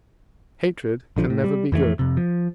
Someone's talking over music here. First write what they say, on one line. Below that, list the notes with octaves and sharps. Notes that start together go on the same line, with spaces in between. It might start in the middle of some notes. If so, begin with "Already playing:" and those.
Hatred can never be good.
A#1 D3 F3
A2
G3
F2 E3 F3 A3
F2 C3
F3